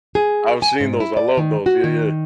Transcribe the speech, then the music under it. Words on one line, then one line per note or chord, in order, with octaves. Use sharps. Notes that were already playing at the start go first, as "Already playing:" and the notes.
I've seen those, I love those yeah, yeah.
G#4
G#5
G#2
E4
D5
D#3
F#4
D#3